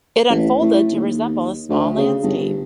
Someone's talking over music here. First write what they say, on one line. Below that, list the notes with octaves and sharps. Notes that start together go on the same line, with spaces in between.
It unfolded to resemble a small landscape.
A1
A2
D#2
D2
C#3
G1